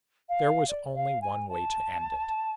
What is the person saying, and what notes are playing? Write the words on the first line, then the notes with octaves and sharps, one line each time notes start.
There was only one way to end it.
F5
D5
F5
G#5
A5